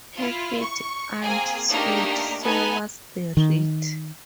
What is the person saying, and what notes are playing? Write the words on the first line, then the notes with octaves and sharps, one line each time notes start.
Her feet ain't sweet so what's the reet?
E4 F4
C#6
A#3 C4 G#4 G#5
A3 A#3 D4 D#4 G4 A#4
B3 D#4 A4 B4 G#5 A5
D#3